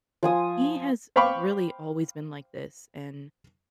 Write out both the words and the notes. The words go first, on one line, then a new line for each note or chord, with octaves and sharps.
He has really always been like this, and
F3 G#5 D#6
C5 F5 G5 B5 C#6 D6